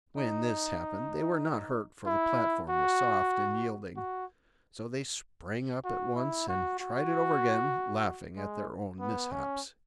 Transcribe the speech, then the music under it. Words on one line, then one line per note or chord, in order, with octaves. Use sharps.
When this happened they were not hurt, for the platform was soft and yielding; so they sprang up at once and tried it over again, laughing at their own mishaps.
D#4
E4
F#4
F#4
F#4
E4
F#4
F#4
G#3
B3
C#4